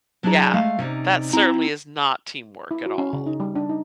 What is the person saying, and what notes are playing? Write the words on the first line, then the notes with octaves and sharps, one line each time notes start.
yeah, that certainly is not teamwork at all.
F#3 D4 E4 G#4 D5 A#5
G#3 A3 F5
C3 C#4 D#4 D5
C4 E4 A#5
E4
F#4
C#4
C#3
D#4
G3
D4
D#4